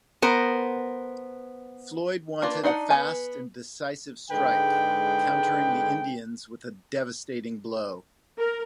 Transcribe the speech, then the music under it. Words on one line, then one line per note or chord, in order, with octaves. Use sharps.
Floyd wanted a fast and decisive strike, countering the Indians with a devastating blow.
B3 A#4 C5
A#3 D4 F4 B4
D4 D#4 D5 F#5
B3 G#5
G#2 D3 G#3 B4 G5
A#4